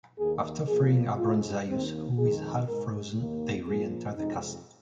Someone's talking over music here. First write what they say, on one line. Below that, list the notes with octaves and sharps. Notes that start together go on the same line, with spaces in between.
After freeing Abronsius, who is half frozen, they re-enter the castle.
D#2 D#3 A#3 G#4
A#2 F3 A#3 G#4
G#2 G#3 F4
D#2 D#3 A#3 C4
F2 D#3 G#3 G#4
G#2 G#3 A#4
D#2 D#3 A#3
A#2 F3 A#3 G#4
F2 C3 G#3 D#4